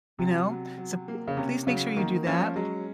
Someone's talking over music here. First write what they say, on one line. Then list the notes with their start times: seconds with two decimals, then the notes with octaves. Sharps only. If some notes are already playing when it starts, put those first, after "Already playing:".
You know, so p please make sure you do that,
0.19 C3 F#3
0.49 F#3
0.78 F#3
1.08 A#3
1.28 C#3
1.37 C3 C#4
1.67 C#3 F#3
1.96 D#3 A#3
2.26 F3 C#4
2.56 F#3 G#3